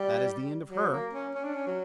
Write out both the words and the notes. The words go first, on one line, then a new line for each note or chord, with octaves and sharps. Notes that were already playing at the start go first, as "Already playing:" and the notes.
That is the end of her.
Already playing: G3
F#3
A#3
C#4
C#4
D4
C#4
F#3